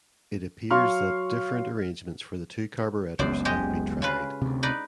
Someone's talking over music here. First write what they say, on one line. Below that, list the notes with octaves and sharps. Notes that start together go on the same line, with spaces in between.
It appears that different arrangements for the two carburettors have been tried.
F#3 F5 C6 C#6 F6
F#1 C#2 F#2 B3 C5 D5
G#3 G4 D#5
C#3 F4 B4
D2 C3
D#4 B4 D5